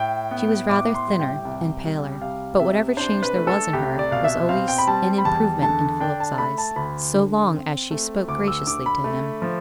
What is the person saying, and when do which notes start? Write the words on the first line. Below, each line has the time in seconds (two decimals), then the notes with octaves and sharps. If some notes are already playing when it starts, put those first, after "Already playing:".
She was rather thinner and paler; but whatever change there was in her was always an improvement in Philip's eyes, so long as she spoke graciously to him.
Already playing: A2 G5
0.31 B3
0.69 A2 D6
0.94 C6
1.07 G3
1.20 G5
1.45 C2
1.84 G3
2.21 C2 F5
2.60 C3 E5
2.97 D4 C5
3.23 B4
3.36 A3
3.47 A4
3.73 C2 G4
3.99 D5
4.11 B2 F5
4.24 E5
4.49 C4 F5
4.68 G5
4.78 B5
4.87 G3 A5
5.18 B5
5.25 E2 A5
5.62 D3 A5
6.00 D4 G5
6.20 A5
6.38 A3 B5
6.58 A5
6.76 D2 B5
7.14 D3
7.52 C4
7.91 A3
8.28 D2 D6
8.48 E6
8.67 D3 D6
8.86 B5
9.04 A3
9.42 F3